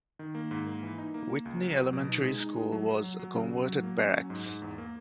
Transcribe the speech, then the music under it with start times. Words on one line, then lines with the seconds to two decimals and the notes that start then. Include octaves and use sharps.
Whitney Elementary School was a converted Barracks.
0.19 D#3
0.35 A#3
0.51 G#2
0.66 A#3
0.83 E3
0.98 D#4
1.14 A#3
1.30 A#3
1.45 C#2
1.62 F#3
1.77 F#3
1.93 B2
2.09 D#4
2.25 G#3
2.40 D#4
2.56 G#3
2.72 F#3
2.88 F#3
3.04 F#3
3.19 F#3
3.35 C#3
3.51 F#3
3.67 F#3
3.83 A#3
3.99 C#4
4.15 F#3
4.30 G#2
4.46 G#2
4.62 E2
4.78 A#3